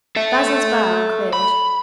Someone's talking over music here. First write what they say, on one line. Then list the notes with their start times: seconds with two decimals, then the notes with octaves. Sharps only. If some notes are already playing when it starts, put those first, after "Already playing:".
Basil's brow cleared.
0.16 A4 E5
1.33 B5